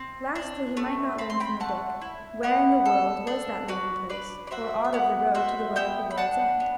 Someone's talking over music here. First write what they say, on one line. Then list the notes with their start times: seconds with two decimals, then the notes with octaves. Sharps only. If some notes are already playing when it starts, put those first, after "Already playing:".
Lastly, he might not learn from the book where in the world was that lone place, or aught of the road to the Well at the World's End.
Already playing: C4
0.35 D4
0.77 A3
1.18 C4 B5
1.30 C6
1.40 G5 B5
1.60 A3 F#5 A5
2.01 E4
2.43 B3 D5 F#5
2.85 A4
3.27 D4
3.68 F#4 B4 D5
4.09 D4 B4 D5
4.47 D5
4.51 F#4 C5 E5
4.85 E5
4.93 B3 D5 F#5
5.35 F#4 C5 E5
5.76 B3 E5 G5
6.11 B5
6.17 D4 F#5 A5
6.60 B3